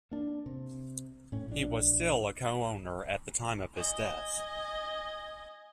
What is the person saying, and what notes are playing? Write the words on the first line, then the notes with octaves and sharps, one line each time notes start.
He was still a co-owner at the time of his death.
A#3 D4
C3
A2 C#4
A#1 D4
D#5 G#5